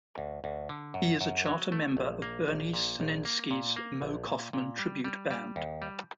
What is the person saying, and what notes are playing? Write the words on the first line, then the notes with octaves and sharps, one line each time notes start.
He is a charter member of Bernie Senensky's Moe Koffman Tribute Band.
D2
D2
D3
F#2
F#2
F#3
A3
A#1
A#3
A#1
A#2
A#1
A#3
A#2
A#3
A#1
A#2
A#2
G3
G3
G3
D#2
G3